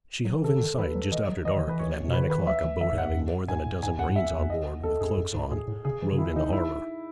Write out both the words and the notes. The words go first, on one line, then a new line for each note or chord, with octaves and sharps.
'She hove in sight just after dark, and at nine o'clock a boat having more than a dozen marines on board, with cloaks on, rowed into harbour.'
F#3
E3
D#3 A4
D#3
E3 B4
F#3
E3 D#5
F#3
E3 D#5
D#3
E3 B4
C#5
B2
B4
C#3
D#3 B4
E3
F#3 E5
E3
E3 E5
G#2
F#5
E2
F#2
G#2 G#5
A2
G#2 G#5
F#2 F#5
G#2
F#2 E5
E2
D#5
E2 A4
F#2 G#4
F#2
G#2
A2 G#4
A2
C#3 G#4
E3
C#3
D#3 E4
D#3 D#4
E4